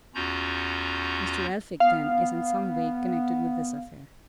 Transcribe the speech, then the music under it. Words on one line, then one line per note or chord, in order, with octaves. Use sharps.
"Mr. Elphick, then, is in some way connected with this affair."
E2 C#4 F4 F#4 A#5 G6
B3 F5